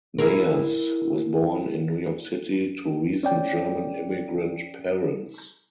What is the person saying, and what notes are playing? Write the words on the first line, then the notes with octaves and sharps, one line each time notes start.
Meyers was born in New York City to recent German immigrant parents.
E4 G#4 A#4
C#4 D5 G5